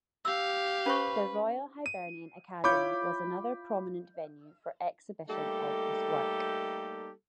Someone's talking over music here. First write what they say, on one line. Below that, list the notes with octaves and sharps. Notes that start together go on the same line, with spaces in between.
The Royal Hibernian Academy was another prominent venue for exhibition of his work.
G4 F5 E6
C#4 B4 C5 C#6
D#7
E4 F4 C#5 B5 D6 G6
G3 A3 A#3 D#4 G4 A4